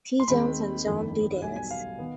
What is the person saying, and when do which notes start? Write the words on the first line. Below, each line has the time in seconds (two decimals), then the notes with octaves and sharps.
T. Jones and John D. Davis.
0.20 C6
0.28 D#2 D#3 G#3 C4 B5
0.85 G1 F2 D#3
1.42 B1 B2 G3 G#5
1.56 G#5
1.71 F5
1.99 D#3 B3